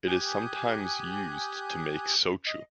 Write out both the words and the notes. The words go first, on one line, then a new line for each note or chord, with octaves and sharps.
It is sometimes used to make shochu.
G4 G#5 D#6 F#6 G6
D#5